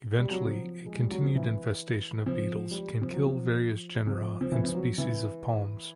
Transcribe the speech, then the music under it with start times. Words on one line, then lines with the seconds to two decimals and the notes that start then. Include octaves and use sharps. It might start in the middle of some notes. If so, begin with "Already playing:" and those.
Eventually a continued infestation of beetles can kill various genera and species of palms.
0.18 G3
0.31 F#3
0.46 F3
0.86 G#3
1.00 G3
1.12 F#3
1.24 F3
1.36 E3
2.26 F3
2.71 G3
3.02 F3
3.14 F#3
3.26 F3
4.07 F3
4.41 F3
4.52 E3
4.64 F3
4.74 F#3
4.98 E3